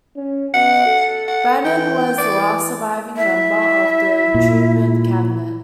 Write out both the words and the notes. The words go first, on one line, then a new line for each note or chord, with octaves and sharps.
Brannan was the last surviving member of the Truman Cabinet.
C#4
B2 F#5
A4
F#5
E3 G5
E3 D5
E4 E5
A#2